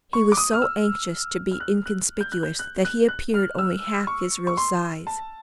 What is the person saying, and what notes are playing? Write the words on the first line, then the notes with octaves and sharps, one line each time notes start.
He was so anxious to be inconspicuous that he appeared only half his real size.
C#6
D6
D#6
F6
E6
F6
F#6
F#6
G6
F#6
G6
F#6
F#6
F#6
F6
E6
C#6
C#6
C6
A5